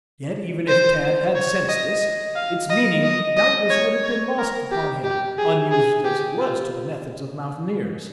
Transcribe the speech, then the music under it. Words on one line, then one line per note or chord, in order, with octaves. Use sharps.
Yet, even if Tad had sensed this, its meaning doubtless would have been lost upon him, unused as he was to the methods of mountaineers.
C5
C#5
D#5
D#5
F5
D#5
D#5
D#5
C#5
C#5
A#4
G4
G4
G#4
G#4
G4
F4